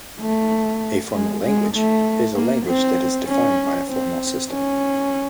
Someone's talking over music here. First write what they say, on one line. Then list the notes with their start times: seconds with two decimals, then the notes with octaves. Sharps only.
A formal language is a language that is defined by a formal system.
0.21 A3
1.14 G#3
1.45 G#3
1.75 A3
2.36 A#3
2.67 C4
3.28 C#4
3.89 C4
4.51 C#4